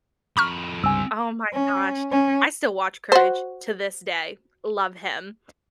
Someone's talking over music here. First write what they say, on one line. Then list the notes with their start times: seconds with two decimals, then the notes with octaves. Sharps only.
oh my gosh, I still watch Courage to this day, love him,
0.37 F2 A#5 B5 C#6 F6
0.84 C#2 G2 G3 C4 G#5 E6
1.53 C#4
2.11 C#4
3.12 F#4 C5